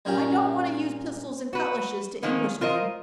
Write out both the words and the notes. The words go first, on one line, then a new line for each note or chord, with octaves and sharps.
I don't want to use pistols and cutlashes to Englishmen.
G2 A#2 C#4 F4 G4
F#4 B4
D#3 F3 G#3 A#3 D#4
F4 A#4 C5 D#5